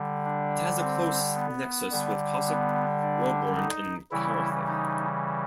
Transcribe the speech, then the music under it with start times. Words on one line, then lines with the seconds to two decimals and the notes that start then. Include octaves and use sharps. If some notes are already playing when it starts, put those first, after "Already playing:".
It has a close nexus with Cossack, Roebourne and Karratha.
Already playing: D3 G3
0.25 D4
0.81 C4
1.35 B3
1.91 D3 G3
2.47 B3
3.02 D4
3.56 D#4
4.11 C#3 E3 G3 E4
4.67 D#4